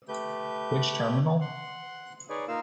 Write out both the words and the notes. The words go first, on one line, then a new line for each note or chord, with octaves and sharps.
Which terminal?
A3 G4 B4 G6
F#5 C6
D#4 G#4 B4 C#5 D5
A#3 D#4 F4 A#4 F5 E6